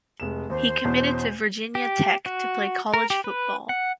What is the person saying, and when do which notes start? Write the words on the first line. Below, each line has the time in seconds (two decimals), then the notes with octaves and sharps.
He committed to Virginia Tech to play college football.
0.20 F1 G#3 E7
0.50 D#2 C5
0.84 E2 B2 C#4
1.75 G4
2.26 F#4
2.94 A#4
3.10 G4
3.24 B4
3.69 F#5